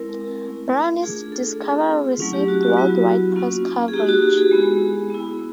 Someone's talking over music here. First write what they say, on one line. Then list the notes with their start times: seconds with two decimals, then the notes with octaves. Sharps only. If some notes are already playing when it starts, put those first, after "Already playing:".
Browne's discovery received worldwide press coverage.
Already playing: G#3 C4 E4 A#4
0.44 A3 C#4 E4
1.02 A3 D4 F4 G#4
1.32 A4
1.61 A3 C4 F4 G#4
2.19 F#3 A3 C#4 E4
2.33 G4
2.48 F#4
2.63 F#4
2.77 F#3 B3 E4
3.36 A#3 C#4 F4
3.88 G#4
3.94 A#3 D#4 F#4 G4
4.09 F#4
4.22 G4
4.37 G#4
4.51 G#3 B3 E4
5.10 B3 E4